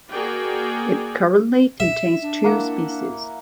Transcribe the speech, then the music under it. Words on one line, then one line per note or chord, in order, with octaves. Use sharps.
It currently contains two species.
A#3 F#4 G#4 A#4 D5 G5
E5
D4
A#3 E4 F#5